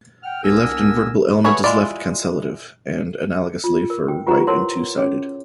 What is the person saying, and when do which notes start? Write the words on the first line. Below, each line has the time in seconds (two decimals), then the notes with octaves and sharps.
A left-invertible element is left-cancellative, and analogously for right and two-sided.
0.23 F#5 G5 F6
0.44 C2 B3 D4 A#4 G#5 E6
1.44 A3 F#4 G#4 B4 C#5
1.64 G#3 E4 F4 D5
3.64 F4
3.90 A#4
4.08 G5
4.27 F4 G4 B4 C5 F#5 A#5
4.47 E4 A#4 C5 C#5 F#5 C6
4.98 C#4 G#4 C#5